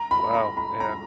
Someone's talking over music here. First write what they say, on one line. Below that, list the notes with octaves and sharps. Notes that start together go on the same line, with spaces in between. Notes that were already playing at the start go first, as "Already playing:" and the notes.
Well, yeah,
Already playing: A#5
B5
A#5
B5
A#5